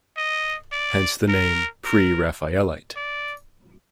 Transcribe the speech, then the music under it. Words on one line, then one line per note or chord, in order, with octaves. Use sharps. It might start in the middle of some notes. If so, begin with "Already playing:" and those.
Hence the name "Pre-Raphaelite".
D#5
D5
A#4
A#4
D5